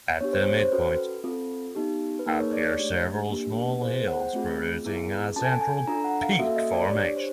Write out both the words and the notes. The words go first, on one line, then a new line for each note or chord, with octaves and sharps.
At the midpoint appear several small hills producing a central peak formation.
B3 D4 G4 C#5
C5
C#5
C5
C#4 F#4 A4 B4
C4 F4 A4
B3 D#4 G4
B4
A#3 D#4 G#4 A#4
C#5
D5
C#5
A3 D4 G4
A#3 D4 G4
B3 E4 G#4 C5
C5
F#5
G5
A3 C4 F4 G#4
B3 E4 G#4
C#4 F4 A4 A5
G#5
G5
G#5
D4 F4 A4 A#5
F#5
F5
A#3 C#4 F#4 A4 E5
D#5
D5
D4 G4 C#5
C5